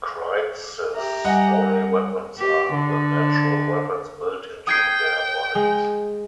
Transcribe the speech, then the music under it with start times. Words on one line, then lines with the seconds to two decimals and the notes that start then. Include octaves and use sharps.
Krites' only weapons are the natural weapons built into their bodies.
0.96 G4 E5 A#5
1.25 G3 D#5 F#5 G#5
1.61 A#4
2.39 G4
2.75 D3
4.67 G5 D#6 G#6 C7
5.55 G#3